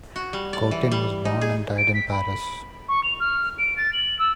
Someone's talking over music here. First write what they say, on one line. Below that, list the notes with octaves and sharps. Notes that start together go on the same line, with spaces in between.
Cotin was born and died in Paris.
F#4
G3
D5
E3
G3
D#4
G#4
D7
B6
B5
C#6
F7
F6
D7
A6
F#7
E6